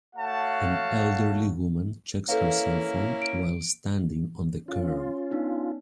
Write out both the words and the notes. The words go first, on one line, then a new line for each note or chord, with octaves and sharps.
An elderly woman checks her cellphone while standing on the curb.
A3 F#4 C#5 F5 F#5 A5
A#3 C#4 E4 A4 B4 F5
D7
C#4 F4
B3 D4 D#4